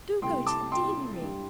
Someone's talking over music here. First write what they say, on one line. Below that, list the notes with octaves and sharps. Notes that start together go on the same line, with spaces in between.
Do go to the deanery.
C2 C3 A3 G5 C6
A5 D6
G5 C6
G2 G3